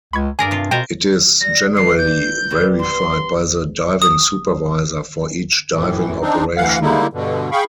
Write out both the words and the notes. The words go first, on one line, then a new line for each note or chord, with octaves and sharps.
It is generally verified by the diving supervisor for each diving operation.
C#2 B5 C#6 G#6
G2 G#4 A#4 D5 G#5
C3 F4
B2 F4 A#4 C5 G5
G3 A#6
E3 C7
D5 G6
B2 G3 G4
B3 C4 C6
D#6
F#2 A2 E3
C4 D4 D#4
D2 E3 F5 F#5
D3 G3 G#3 A#3 D#4 E4
G2 B2 D3
G#4 F5 G5 B5 C#6